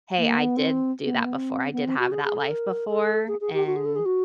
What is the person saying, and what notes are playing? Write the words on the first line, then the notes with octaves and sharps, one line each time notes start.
"Hey, I did do that before. I did have that life before, and
A#3
B3
C4
B3
A#3
B3
C4
B3
C4
F#4
G#4
G#4
A4
A#4
A4
G#4
G#4
G4
F#4
G#4
A4
G#4
F#4